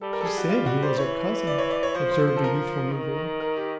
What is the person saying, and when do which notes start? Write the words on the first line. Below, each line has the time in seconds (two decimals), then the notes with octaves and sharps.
"She said he was her cousin," observed a youthful new girl.
0.01 G3 A4
0.13 A#4
0.21 A4
0.25 G#4
0.38 F#4
0.49 F4
0.66 F#4
0.83 C5
0.98 E3 C#5
1.47 D5
1.58 C#5
1.71 D5
1.83 C#5
1.94 F3 C5
2.11 C5
2.28 C5
2.37 A4
2.44 A#4
2.92 D#3
3.40 A#4
3.57 G4